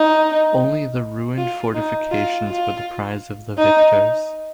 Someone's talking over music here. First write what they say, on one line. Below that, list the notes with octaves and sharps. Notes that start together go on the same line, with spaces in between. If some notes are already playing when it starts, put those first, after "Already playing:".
Only the ruined fortifications were the prize of the victors.
Already playing: D#4
F4
D#4
F4
F4
D#4